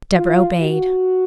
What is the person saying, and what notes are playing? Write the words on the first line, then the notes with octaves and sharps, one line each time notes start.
Deborah obeyed.
F4
F#4